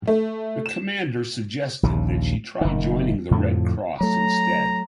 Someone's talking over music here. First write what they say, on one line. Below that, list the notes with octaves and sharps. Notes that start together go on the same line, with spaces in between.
The commander suggested that she try joining the Red Cross instead.
A3
E7
A#1 D#2 C#3
F#1 D#3
F2 A2 D3 F3
F#3 A3 A#5